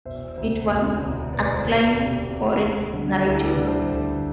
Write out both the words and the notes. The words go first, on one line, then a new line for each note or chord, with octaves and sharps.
It won acclaim for its narrative.
E1 C5 E5
D2 C3 C5 E5
E1
D2 C3
E1 B4 D5
D5
A4 C5
D2 C3
G4 B4
E1
D2 C3
D2
D3 G3
A4
D2 E4 G4
B4 D5
D3 G3
A4 C5
D2